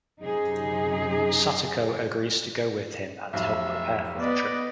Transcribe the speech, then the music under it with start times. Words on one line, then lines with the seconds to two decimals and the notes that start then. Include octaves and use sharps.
Satoko agrees to go with him and help prepare for the trip.
0.20 F#2 C3 D#4 G#4
3.33 F1 B1 E5
4.19 B3 B4 D5 D#5